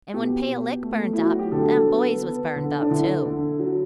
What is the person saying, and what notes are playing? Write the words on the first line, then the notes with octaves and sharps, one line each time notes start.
"And when Pale Lick burned up, them boys was burned up, too."
B2 G4
B2
A3
F#3 E4
F#4
G4
D3 A4
B3
B3
D3
D4
D3 E4
D3
F#3